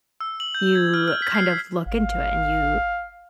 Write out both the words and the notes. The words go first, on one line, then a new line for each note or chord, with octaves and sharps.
you kind of look into it, and you
E6
F#7
G6
G#6
F6
F6
B6
C7
G#1 F5